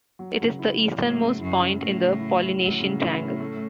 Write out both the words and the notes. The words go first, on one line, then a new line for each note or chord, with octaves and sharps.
It is the easternmost point in the Polynesian Triangle.
F#3
C#3
E4
C#4
A2 F#3
C#3
F#2 E4
C#4
A2 F#3
C#3
E4
C#4
A2 F#3
C#3
E4
C#4
A3